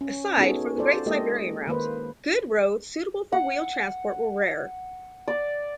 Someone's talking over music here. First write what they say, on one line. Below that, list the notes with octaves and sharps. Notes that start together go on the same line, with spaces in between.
Aside from the Great Siberian Route, good roads suitable for wheeled transport were rare.
C#4
B3 C#4 D#4 F#4 G#4 A4
F4 A4 C5 D5
G#3 A#3 E4 G4 A4 D#5
D#3 A#3 B4 C5
F#5
D5